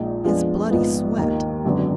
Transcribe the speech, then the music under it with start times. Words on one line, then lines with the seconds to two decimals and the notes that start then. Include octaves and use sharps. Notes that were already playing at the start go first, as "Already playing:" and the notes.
His bloody sweat.
Already playing: A#1 A#2 G#3 D#4
0.24 F2 F3 G#3 B3 D4
0.71 A#1 G#2 F3 B3
1.18 D#2 D#3 A#3 D#4
1.65 G#1 F#2 D3 F#3 B3